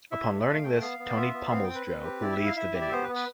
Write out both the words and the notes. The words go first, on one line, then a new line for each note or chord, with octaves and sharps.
Upon learning this, Tony pummels Joe, who leaves the vineyards.
E4 E5
A3
A3 F5
A3 G5
B3 F5
B3
D5
F4 E5
B3
C4 F5
G5
C4
B4
C4
G4
E4 D5
E5
E4
F5
E4 E5
G4
D5
B3 C5
B4
B3
B4